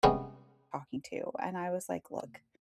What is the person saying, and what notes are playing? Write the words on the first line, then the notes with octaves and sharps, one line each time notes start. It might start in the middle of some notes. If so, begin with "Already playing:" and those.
talking to, and I was like, "Look,
C3 G3 G#3 B3 C#4